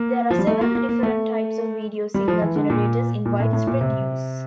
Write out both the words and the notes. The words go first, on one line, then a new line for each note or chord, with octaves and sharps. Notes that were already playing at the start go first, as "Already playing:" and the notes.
There are several different types of video signal generators in widespread use.
Already playing: A#3
F3
G3
A3
A#3
A#3
A#3
A3
G3
F3
E3
D3
A#2
A#2
A2
A2
A#2
C3